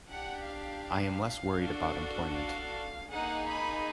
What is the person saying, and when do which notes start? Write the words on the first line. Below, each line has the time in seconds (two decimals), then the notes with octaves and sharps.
I am less worried about employment.
0.10 D4 G4 F#5
0.48 F5
1.60 D4 F#4 A4
2.36 F5
3.11 A#3 D#4 G#4 F#5
3.49 B5